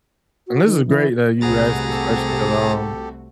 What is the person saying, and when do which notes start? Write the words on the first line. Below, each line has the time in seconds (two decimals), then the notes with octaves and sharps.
and this is great that you asked this question 'cause, um,
0.47 F#4
0.66 D#3
0.87 E3
1.41 C2 C3 A3 F#4 G#4 B4 A#5 A6
1.90 G4 A4